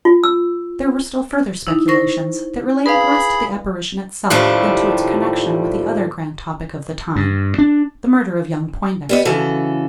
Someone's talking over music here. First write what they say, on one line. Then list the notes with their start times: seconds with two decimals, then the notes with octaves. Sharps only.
There were still further speculations, that related less to the apparition itself than to its connection with the other grand topic of the time--the murder of young Poindexter.
0.05 F4
0.24 E6
1.67 D#4 E4
1.88 C5 C#6 A#6
2.86 G#4 B4 F5 B5
4.30 D#2 A2 F3 G3 A3 D4
7.16 G2
7.58 D4
9.09 G3 B3 D#5
9.25 C#3 E3 F#4 A4